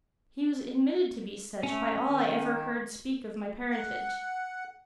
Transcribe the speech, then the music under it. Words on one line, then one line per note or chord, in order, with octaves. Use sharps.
He was admitted to be such by all I ever heard speak of my parentage.
A3 C#4
D#3
F#5